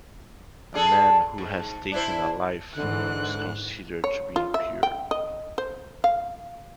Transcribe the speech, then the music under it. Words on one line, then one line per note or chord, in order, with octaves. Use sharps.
A man who has taken a life is considered to be impure.
D4 G#4 A4
G#2
D4 E4 C5
G#2 D3 E3 F#6
C#5
F4
E5
G5
D#5
C5
F5